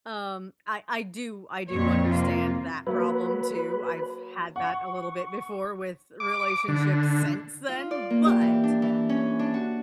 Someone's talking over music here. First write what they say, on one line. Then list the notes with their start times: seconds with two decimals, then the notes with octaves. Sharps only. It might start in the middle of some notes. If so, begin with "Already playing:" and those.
um, I I do I do understand that problem, too. I've had that a little bit before with relationships since then, but,
1.72 F2 A#2 C4 C#5
2.09 C3 A#3 F4
2.87 F#3 A#3 B4 B5
4.56 F#5 C#6
6.20 D6
6.68 D3
7.69 F4
7.91 D5
8.10 A#3
8.26 G4
8.41 E3
8.64 D4
8.82 E3
9.09 C#4
9.39 D4
9.54 F#4